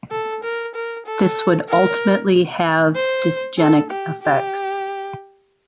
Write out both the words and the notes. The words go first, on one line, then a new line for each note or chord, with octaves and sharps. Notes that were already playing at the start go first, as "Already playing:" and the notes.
This would ultimately have dysgenic effects.
A4
A#4
A#4
A4
A#4
C5
A4
G4
G4